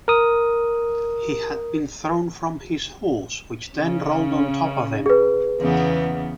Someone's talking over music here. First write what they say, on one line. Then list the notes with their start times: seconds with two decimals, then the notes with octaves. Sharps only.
He had been thrown from his horse, which then rolled on top of him.
0.08 A#4 D#6
3.75 C#3 C#4
5.06 G#4 B4
5.61 E2 C#3 B3